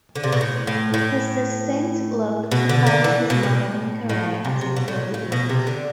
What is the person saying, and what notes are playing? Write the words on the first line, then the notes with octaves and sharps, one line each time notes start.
His distinct look propelled his modeling career at an early age.
D3
C3
B2
A2
A2
A2
B2
D3
D3
E3
B2
A2
A2
C3
C3
B2
A2
A2
B2
C3
D3